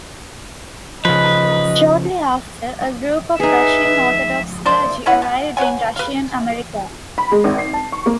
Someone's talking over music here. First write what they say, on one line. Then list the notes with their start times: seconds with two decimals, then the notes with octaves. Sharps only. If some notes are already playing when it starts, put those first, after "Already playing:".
Shortly after, a group of Russian Orthodox clergy arrived in Russian America.
1.05 C#3 F3 B4 D#5
3.40 D#4 G#4 B4 E5
4.66 A#3 D4 C5 D5
5.06 C#4 E4 B4 F#5
5.22 B2
5.57 B4 C#5 F#5 G#5
5.96 B4 F5
7.18 B5
7.32 G#3
7.44 G#1
7.58 C7
7.73 A5
7.92 C#6
8.06 A#3